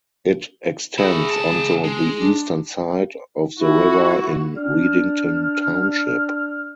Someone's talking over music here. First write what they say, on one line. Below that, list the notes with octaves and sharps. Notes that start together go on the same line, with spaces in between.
It extends onto the eastern side of the river in Readington Township.
E4 F#4 G#4
C#2 A5
G#3
D4
E4 F#4
D4 F6